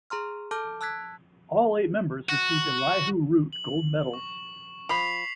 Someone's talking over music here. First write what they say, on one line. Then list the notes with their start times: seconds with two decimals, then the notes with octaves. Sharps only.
All eight members receive Elihu Root gold medals.
0.10 G#4 A#5 C6 F6
0.51 A4 A5 D6 F6 G6
0.81 A5 E6 F#6 G#6 B6
2.29 F#4
3.53 F#7
4.13 C#6
4.89 F3 B5 B6 C7 F7